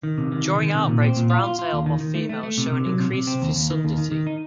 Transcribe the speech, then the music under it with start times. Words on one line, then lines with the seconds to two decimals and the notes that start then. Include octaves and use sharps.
During outbreaks browntail moth females show an increased fecundity.
0.03 D#3
0.18 C3
0.32 D#3
0.45 D#3
0.59 D#3
0.74 C3
0.88 A#2
1.02 C4
1.17 A#2
1.30 F4
1.44 F4
1.59 F4
1.73 D#2
1.86 D#3
2.00 D#3
2.15 A3
2.29 A3
2.43 A3
2.58 C3
2.72 C3
2.86 F#3
3.00 C3
3.13 C3
3.27 C4
3.42 D#2
3.56 D#2
3.70 D#3
3.85 D#2
3.97 D#3
4.12 D#3
4.27 D#4